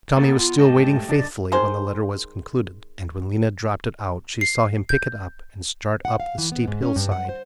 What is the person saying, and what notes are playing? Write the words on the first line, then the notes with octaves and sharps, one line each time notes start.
Tommy was still waiting faithfully when the letter was concluded, and when Lena dropped it out she saw him pick it up and start up the steep hillside.
A#3 B3 G#4 A4
B3 F4
G#2 A3 G4 D#5 A5
F#2 C#3 D4 A4 D5 D#5
D#3 G#3 C5
C7
G6
F#5
F5
E3
B3
G#2
C#4
G2
F#5
C5